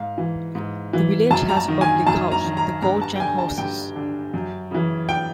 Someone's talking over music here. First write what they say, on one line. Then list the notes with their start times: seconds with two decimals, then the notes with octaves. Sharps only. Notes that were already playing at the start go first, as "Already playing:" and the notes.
The village has a public house: "The Coach and Horses".
Already playing: G#2 F5
0.18 E3
0.55 G#2
0.93 E3
1.31 F#2 A5
1.49 A#5
1.57 A5
1.68 D#3
1.81 G#5
2.07 F#2 A5
2.31 A#5
2.45 D#3
2.57 A#5
2.82 G2 A#5
3.02 A5
3.16 G5
3.20 D3 G#5
3.38 A5
3.58 G2 G5
3.96 D3
4.34 F#2
4.71 C#3 E3
5.09 G5